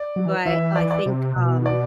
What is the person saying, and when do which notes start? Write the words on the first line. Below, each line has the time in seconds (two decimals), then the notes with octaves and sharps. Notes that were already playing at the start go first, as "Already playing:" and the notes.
but I think, um
Already playing: D5
0.16 F#3
0.26 E3
0.46 E3 E5
0.76 D5
0.91 D5
1.06 C3
1.36 B2
1.66 D5